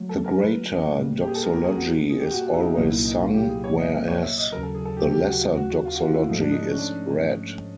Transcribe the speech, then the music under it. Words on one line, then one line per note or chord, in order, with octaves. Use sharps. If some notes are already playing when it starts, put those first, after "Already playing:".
The Greater Doxology is always sung, whereas the Lesser Doxology is read.
Already playing: D3 F#3 A3
A4
A#4
B4
A#2 G3 A#3
G4
G#4
A4
A#4
A#4
G#4
F#4
G#4
G4
F#4
F4
E4
D#4
E4
C2 A#2 F#3 A#3 D#4
E4
D#4
F4
G4
G#4
C#5
D#5
C#5
E5
D#5
D#2 C#3 F#3 A#4
A4
G#4
A4
G4
G4
F#4
F4
F#4
F#4
F4
F#4
F4
E4
G#2 F3 A3 D#4
D4
D#4
D4
C#4
D4